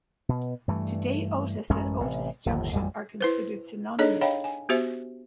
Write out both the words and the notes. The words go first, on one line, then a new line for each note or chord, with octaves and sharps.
Today Otis and Otis Junction are considered synonymous.
B2
G2 E3 A3
A1 F#2 G#3 C#4
A1 C3
G1 D#2 A2 F3
A1 F2 G3 G#3
E4 B4 C5
D4 D#4 G#4 A4 C#5 D#5
C#5 D#5 F5 G5 A#5 B5
G#5
B3 F#4 G4 C5 E5